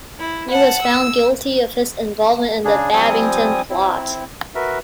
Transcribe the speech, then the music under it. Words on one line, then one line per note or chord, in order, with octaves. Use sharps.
He was found guilty of his involvement in the Babington plot.
E4
F#5 A5
E6
C#3 D4 G#4
F3 G3 C4 G#5 D#6
C4 E4
F#4 A#4 B4 E5